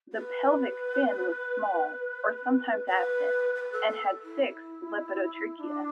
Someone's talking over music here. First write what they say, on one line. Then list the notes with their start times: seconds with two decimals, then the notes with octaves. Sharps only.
The pelvic fin was small or sometimes absent, and had six lepidotrichia.
0.12 B4
2.86 B4
3.54 B4
3.71 A4
3.88 A4
4.23 E4
5.59 D4